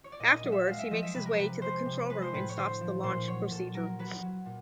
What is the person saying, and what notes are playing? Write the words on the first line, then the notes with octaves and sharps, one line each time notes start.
Afterwards he makes his way to the control room and stops the launch procedure.
C#5
D5
A#2 D#5
D#5
F#3
E5
G#3 F5
E5
F3 D#5
E5
C3 B4
A#4
C3 B4
G#3 C5
C3
G#3 B4
C5
A2 B4
C#5
D3 C5
F3
A#2 C5
F#3 C#5
A#2 A4
F#3 A#4
F#3 B4
F#3
A#2